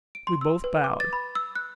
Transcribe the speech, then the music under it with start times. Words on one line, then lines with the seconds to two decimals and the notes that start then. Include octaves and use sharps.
We both bowed.
0.15 D7
0.27 C6
0.41 E6
0.64 B4
0.84 D6
1.00 A6
1.13 B5
1.35 E6
1.56 F#6